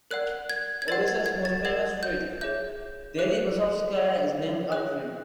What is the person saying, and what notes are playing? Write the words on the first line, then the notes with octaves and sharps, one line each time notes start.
Odessa's most famous street, Deribasovskaya, is named after him.
A#4 D5 F#5 F#6
G#6
G#6
A#4 D5 F#5 A6
G#6
G#6
A6
A#4 D5 F#5 G#6
G6
G#4 C#5 E5 G6
G#4 C#5 E5 F#6
G#4 C#5 E5
G#4 C#5 E5 F#6